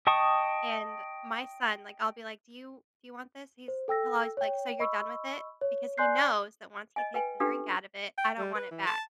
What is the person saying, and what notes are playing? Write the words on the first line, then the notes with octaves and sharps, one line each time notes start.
And, my son, like, I'll be like, "Do you do you want this? He's he'll always be like, "So you're done with it? Because he knows that once he takes the drink out of it, I don't want it back.
D#5 G5 A5 C#6 D#6
C5
A4 G5 E6 A#6
C#5 G5
D#5 B5 C#6 E6
C#5
D5 G#5 C6 F#6 G6 C7
D#5 G#5
B4 G5 G#5
C#4 D4 F4 G4 A4 B4
G5
G3
B4
E3
A5